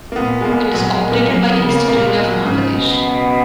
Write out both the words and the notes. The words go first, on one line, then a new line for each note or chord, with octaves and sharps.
It is operated by Eastern Railway of Bangladesh.
A#3
A#2 B3
G#3
B2 A#3
A#2 F#3
G#3
A#2
A#3
F#3 A#3
B3
C#3
A#3
A#2 A#3
G#3
F#3
G#2 C#3
B2